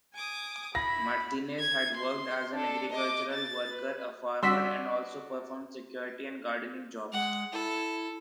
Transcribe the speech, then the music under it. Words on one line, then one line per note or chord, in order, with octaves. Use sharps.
Martínez had worked as an agricultural worker, a farmer, and also performed security and gardening jobs.
G#5 D6 D#6
E4 B5 A#6
G#6
C6
D4 A4
D#5 D6
A6
B4
G3 D4 F#4 C6 E6 B6
G#3 F#5
E4 A4